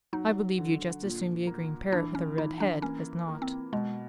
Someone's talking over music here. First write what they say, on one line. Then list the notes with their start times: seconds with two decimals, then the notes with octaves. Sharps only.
"I believe you'd just as soon be a green parrot with a red head as not."
0.13 F#3 D#4
0.58 D3
1.03 A#2
1.47 A#3
1.92 E3 D4
2.15 C#4
2.38 E3 D#4
2.60 D4
2.82 A#3 C#4
3.28 A#3
3.42 C4
3.72 B2 G#3